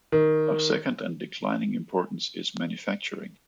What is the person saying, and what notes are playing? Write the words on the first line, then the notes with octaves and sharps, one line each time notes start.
Of second and declining importance is manufacturing.
D#3